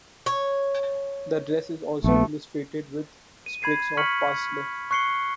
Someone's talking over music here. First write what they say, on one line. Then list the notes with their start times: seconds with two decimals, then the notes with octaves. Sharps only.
The dress is also illustrated with sprigs of parsley.
0.26 C#5
2.04 A#1 A3 B3
3.46 D#7
3.62 B5 G#6 C7 D#7
3.97 C#6 F6 B6 C#7 F#7
4.91 C#6 F#6 C7 C#7 G7